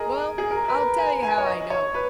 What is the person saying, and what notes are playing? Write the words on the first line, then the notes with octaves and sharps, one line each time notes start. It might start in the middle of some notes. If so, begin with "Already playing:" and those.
Well I'll tell you how I know!
Already playing: G#4 A#4 D#5
G#4
A#4
B4
A#4
G#5
G#5
C#5
D#5
C#5
B4